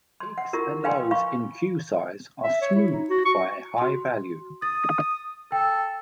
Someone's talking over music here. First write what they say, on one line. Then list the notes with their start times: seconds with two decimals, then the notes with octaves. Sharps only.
Peaks and lows in queue size are smoothed by a high value.
0.20 C6
0.38 F#5
0.53 E4 F4 G4 A#4
0.84 B4 F5 G5 G#5 C6
1.11 F5 B5 C#6
2.43 E5
2.61 C#5
2.75 E4
2.92 D#4
3.10 F#4
3.25 C#6
3.78 F#4 C6
4.62 D#6 A6
5.52 A4 G5